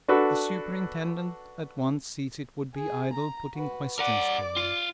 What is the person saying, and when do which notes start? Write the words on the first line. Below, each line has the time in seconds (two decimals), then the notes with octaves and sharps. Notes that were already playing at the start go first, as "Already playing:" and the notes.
The superintendent at once sees it would be idle putting questions to him.
0.08 D4 F#4 A4 B4
2.75 G#4
3.13 A#5
3.55 F#4 B4
3.99 A#4 D5 F#5 D6
4.57 F4